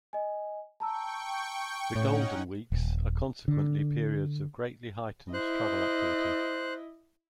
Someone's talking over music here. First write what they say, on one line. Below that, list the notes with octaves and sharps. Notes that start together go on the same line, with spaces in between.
The Golden Weeks are consequently periods of greatly heightened travel activity.
D#5 G#5
G5 A5 A#5 C#6 E6
A2 C#4 D#4 C#5 F#5
D#1
D3
E4 C5 D#5 F#6